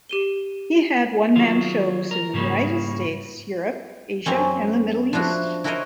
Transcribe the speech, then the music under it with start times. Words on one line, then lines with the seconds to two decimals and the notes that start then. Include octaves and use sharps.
He had one-man shows in the United States, Europe, Asia and the Middle East.
0.09 G4 D#7 G7
1.36 D#3 F#3 F4
2.11 A#4
2.34 G#2 C#3 G3 A#3
4.26 F#2 A#3 C4 C#4
5.13 F3 D4 E4 F#4
5.64 E4 F#4 A#4 C5 C#5 D#5